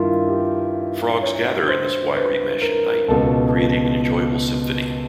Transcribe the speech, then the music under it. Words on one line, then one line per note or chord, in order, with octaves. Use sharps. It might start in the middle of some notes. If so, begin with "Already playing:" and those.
Frogs gather in this wiry mesh at night, creating an enjoyable symphony.
Already playing: G2 D#3 E4 F4
G4
C#5
C5
B4
A#4
C#2 B2 A4